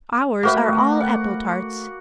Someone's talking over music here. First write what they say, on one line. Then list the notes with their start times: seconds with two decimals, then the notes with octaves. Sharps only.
Ours are all apple-tarts.
0.43 A3 A#3 F#4 B4 C5 E5
1.01 F#5